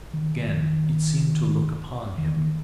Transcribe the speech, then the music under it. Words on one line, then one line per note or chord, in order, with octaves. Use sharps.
Again it seemed to look upon him.
D#3
D#3
D#3
D#3